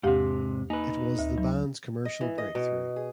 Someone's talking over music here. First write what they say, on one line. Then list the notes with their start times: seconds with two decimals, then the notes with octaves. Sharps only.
It was the band's commercial breakthrough.
0.03 E2 G#2 C3 G4 F5
0.70 A#3 D#4 B4
1.19 D2
1.38 F#3
2.05 D#5
2.21 E3
2.38 D#5
2.55 B2
2.96 G#4